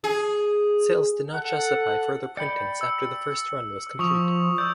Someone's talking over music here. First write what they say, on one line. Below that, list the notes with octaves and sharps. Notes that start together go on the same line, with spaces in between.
Sales did not justify further printings after the first run was complete.
G#4
A4 F#5
D5 G5 B5 C#7
E6
F3 C#6 D#6 F7
D5 E6 G6